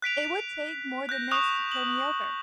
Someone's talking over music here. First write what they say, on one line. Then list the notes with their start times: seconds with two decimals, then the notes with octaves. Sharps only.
It would take more than this to keel me over.
0.02 F#6 B6 D7 F7
1.09 F#6 G6 A#6
1.31 C#6 D#6 F#6 F7
1.72 F#7